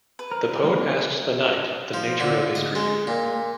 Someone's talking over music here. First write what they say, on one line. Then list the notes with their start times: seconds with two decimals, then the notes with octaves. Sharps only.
The poet asks the knight the nature of his grief.
0.19 B4
0.31 A#4 C5
0.63 G3 A#3 C4
1.94 F3
2.20 D3
2.55 D#5
2.75 G#3
3.07 A#2